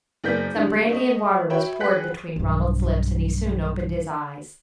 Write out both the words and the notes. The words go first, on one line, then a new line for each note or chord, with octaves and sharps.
Some brandy and water was poured between Ronald's lips, and he soon opened his eyes.
F#1 B3 A#4 D5 G6 B6
D3 G3
A3 D#5
F#4 C#5 E5 G5 B5
G#4 B4 F#5 G5 F#6 B6
B1 G2